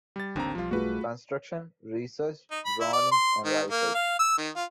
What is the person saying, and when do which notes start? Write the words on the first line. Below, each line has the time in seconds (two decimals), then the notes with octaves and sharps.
Construction, Research, Droning and Rifles.
0.16 G3 A6
0.36 A1 D#2 D3 C4 D4 A#5
0.55 B1 F3 G3 F4
0.71 A3 F4 F#4 G#4 B4
2.51 D#4
2.65 B5
2.81 E4
2.93 D5
3.11 C6
3.45 D#3
3.70 A#3
3.94 F5
4.19 E6
4.38 D#3
4.56 F4